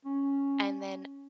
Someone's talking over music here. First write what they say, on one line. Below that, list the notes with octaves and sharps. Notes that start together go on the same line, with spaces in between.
and then,
C#4